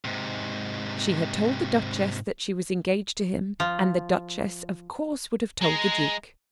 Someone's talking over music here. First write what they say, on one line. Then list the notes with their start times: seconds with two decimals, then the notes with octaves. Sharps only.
She had told the Duchess that she was engaged to him, and the Duchess of course would have told the Duke.
0.05 G#2 C3
3.60 F3
5.61 G#3 A#5